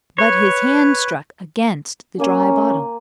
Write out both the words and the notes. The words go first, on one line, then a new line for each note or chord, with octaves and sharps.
But his hand struck against the dry bottom.
B4 C#5
A#3 C#4 G#5